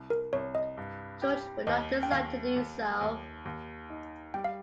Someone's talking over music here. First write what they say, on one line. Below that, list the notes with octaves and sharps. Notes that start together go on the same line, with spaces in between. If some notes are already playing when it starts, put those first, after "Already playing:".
George would not decide to do so.
Already playing: C2
A#4
C2 C#5
D#5
G2
G4
D#2 D#5
G5
D#2 F5
D#2
D#2
D#2
D#4
G3 G5
F5